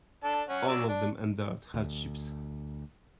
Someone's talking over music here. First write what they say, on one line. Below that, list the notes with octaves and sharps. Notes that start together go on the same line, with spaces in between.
All of them endured hardships.
D4 A4 A5
C#4 F#5
F#3 D5 E6
D4
D2